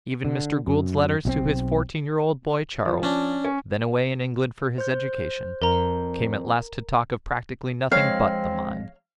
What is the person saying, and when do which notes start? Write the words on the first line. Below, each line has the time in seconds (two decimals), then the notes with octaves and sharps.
Even Mr. Gould's letters to his fourteen-year-old boy Charles, then away in England for his education, came at last to talk of practically nothing but the mine.
0.25 D3
0.67 F#2
1.25 B1 F3 C4
2.85 F3
3.03 C#4 D4
3.45 C#4
4.78 C5 G6
5.62 F2 A#4 A#5
7.92 F2 G#3 C4 C#5 F5